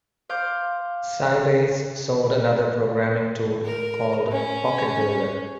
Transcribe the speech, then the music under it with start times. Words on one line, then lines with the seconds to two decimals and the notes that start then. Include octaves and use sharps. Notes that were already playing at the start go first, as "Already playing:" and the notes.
Sybase sold another programming tool called PocketBuilder.
0.29 C5 F5 D6 G6
3.65 A#4
4.32 C#4